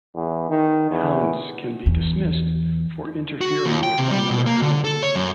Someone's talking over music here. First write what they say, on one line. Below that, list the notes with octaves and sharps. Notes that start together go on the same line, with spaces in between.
Hounds can be dismissed for interfering with another hound.
E2
D#3
E2
E2
F#4
D#2
G5
C3
G3
B2
A#3
D3
A4
C#5
F#2